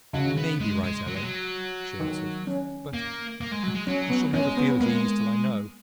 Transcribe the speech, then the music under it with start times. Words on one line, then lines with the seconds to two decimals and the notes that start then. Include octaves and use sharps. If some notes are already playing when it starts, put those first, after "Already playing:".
'You may be right, Ellen,' she answered; 'but I shall never feel at ease till I know.
0.13 C#3 F#3
0.37 B3
0.60 G#3
0.84 G#3
1.07 F#3
1.16 G#3
1.24 F#3
2.00 D#3
2.47 C#4
2.94 A#3
3.41 A#3
3.52 G#3
3.63 F#3
3.75 G#3
3.87 F#3 C#4
4.10 B3
4.34 G#3 C#4
4.57 B3
4.69 B3
4.81 G#3 A#3